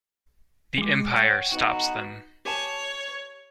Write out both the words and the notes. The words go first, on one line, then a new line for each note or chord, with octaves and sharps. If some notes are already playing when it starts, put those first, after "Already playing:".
The Empire stops them.
G#3 D6
C#5 F#5 G5
B3 D#4 F#4
G4 C#5 G#5 A5